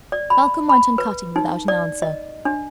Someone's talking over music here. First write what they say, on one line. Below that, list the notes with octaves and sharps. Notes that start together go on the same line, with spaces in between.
Malcolm went on cutting, without an answer.
D5
B5
B5
B4
D#4
D5
D#5
D4